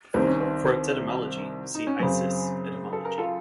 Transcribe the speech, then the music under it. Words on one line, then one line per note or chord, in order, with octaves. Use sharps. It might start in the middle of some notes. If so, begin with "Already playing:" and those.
For its etymology see Isis - Etymology.
C2 C3 D#3 C4
C#4
C4
D#4
C#4
F#2 C#3 C4
A4
A#4
F4 A4